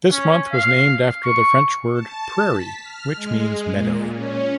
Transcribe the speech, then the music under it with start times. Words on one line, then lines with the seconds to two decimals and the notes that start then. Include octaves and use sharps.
This month was named after the French word "prairie", which means "meadow".
0.12 C#4
0.52 F5
1.24 C#6
1.92 A5
2.50 B6
2.81 F6
3.15 G#3
3.67 A#2
4.11 C#4